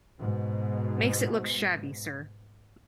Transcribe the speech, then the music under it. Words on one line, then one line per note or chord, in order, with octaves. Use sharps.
Makes it look shabby, sir.
G#2 B2